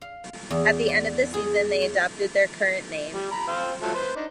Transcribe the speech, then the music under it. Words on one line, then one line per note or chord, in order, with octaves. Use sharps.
At the end of the season they adopted their current name.
F5
E2
D5
G#4
C#5
G3
A#5 B5
C4 C5 F5
F3 F#3 A3
B4 C5
D4 D#4